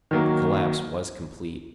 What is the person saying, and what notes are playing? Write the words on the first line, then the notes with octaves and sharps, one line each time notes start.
The collapse was complete.
D#3 F#3 A#3